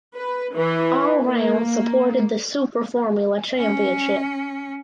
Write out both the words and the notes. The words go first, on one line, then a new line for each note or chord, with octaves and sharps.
All rounds supported the Super Formula Championship.
B4
E3
A#3
C#4